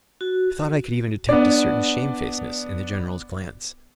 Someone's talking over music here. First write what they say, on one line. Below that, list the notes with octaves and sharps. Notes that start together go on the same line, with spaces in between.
I thought I could even detect a certain shamefacedness in the General's glance.
F#4
B3 D4 D5